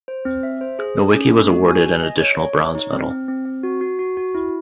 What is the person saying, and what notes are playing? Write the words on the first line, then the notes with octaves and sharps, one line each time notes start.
Nowicki was awarded an additional bronze medal.
C5
C4
E5
C5
G#4
G#4
C#4
A3
F#4
G#5
G#5
D#5
C#5
C#5
C#5
D#4
C4
C4
C4
C4
F#4
F#4
F#4
F#4
E4